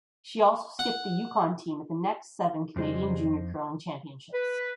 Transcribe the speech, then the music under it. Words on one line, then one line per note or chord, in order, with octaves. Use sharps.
She also skipped the Yukon team at the next seven Canadian Junior Curling Championships.
F#5
F2 C#3 G3 G#3 C5 D#5
B4